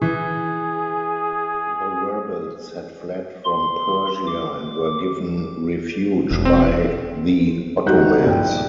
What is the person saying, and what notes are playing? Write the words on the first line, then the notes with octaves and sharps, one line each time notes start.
The rebels had fled from Persia and were given refuge by the Ottomans.
E3 G#4
C6
D6
E1
C4
G3 D#4 F#4 F#6 G6
A#1 G5